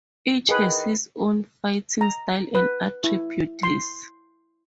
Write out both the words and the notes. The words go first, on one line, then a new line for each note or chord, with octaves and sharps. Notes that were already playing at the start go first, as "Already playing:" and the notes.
Each has his own fighting style and attributes.
D#3 G#4 B4
A#5
B4
E4
C6